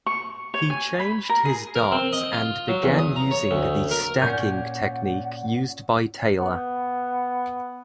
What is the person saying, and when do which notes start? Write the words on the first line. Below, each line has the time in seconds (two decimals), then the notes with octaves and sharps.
He changed his darts and began using the "stacking" technique used by Taylor.
0.06 C#6
0.54 C#5
0.70 G#5
1.00 B5
1.29 A#4
1.45 G#4
1.75 A#4
1.92 C4
2.13 D#5
2.33 F4
2.68 F#3
2.83 E2
2.98 D#6
3.16 A#5
3.31 C#5
3.51 D2
3.91 A#4
4.22 A#2 C#4 F#5 G6
6.40 B3